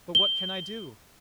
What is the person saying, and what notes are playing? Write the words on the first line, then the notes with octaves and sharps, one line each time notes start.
"But what can I do?"
G7